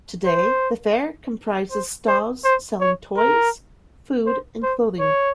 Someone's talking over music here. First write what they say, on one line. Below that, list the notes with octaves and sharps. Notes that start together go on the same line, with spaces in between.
Today the fair comprises stalls selling toys, food and clothing.
C5
C5
C5
C5
C#5
A#4
C5
C5
C#5